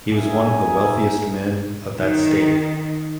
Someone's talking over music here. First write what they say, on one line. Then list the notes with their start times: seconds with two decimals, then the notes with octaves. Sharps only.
He was one of the wealthiest men of that state.
0.13 D4 G#4 A#4 D#5 E5 G#5
1.98 D#3